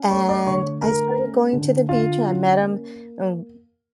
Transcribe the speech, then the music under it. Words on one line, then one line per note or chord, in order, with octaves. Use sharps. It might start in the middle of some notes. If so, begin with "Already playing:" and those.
and I started going to the beach and I met him, and,
Already playing: C#4
A3 C#5 C#6
D5 D6
D3 C#5 C#6
A3 A#4 A#5
C#4
D3
D3 F4 F5
C#4
A#3